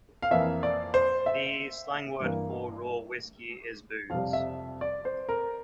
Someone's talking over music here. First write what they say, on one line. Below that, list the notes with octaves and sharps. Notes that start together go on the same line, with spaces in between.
The slang word for raw whiskey is booze.
F5
F2 E3 A#3 E5
D5
C5
E5
G2 E3 A#3
F2 C3 G3 F5
E5
D5
C5
A#4